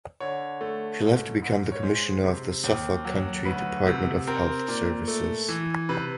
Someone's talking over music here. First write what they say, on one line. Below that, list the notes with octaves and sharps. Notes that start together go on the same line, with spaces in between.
She left to become the commissioner of the Suffolk County Department of Health Services.
D3 C#5
A3
G#2
G#2
C#5
G#3 C5
C3
D#2
F#3
D2 B4
C3
C4 A#4
A#2
A3
E3
C3 B4